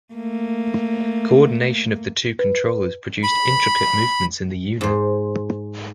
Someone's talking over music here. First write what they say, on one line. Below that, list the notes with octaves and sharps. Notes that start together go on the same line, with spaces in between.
Coordination of the two controllers produced intricate movements in the unit.
A3 A#3
B4
B5
G#2 C5